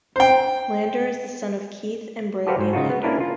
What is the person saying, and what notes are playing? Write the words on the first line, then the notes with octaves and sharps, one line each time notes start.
Lander is the son of Keith and Brandie Lander.
C5 G5
F#4 G4 A4 B4 C5 F5
G#2 C5
C#3 D#4 F4 F#4
B3
A#3 C#4 D4 E4 A#4 B4
F4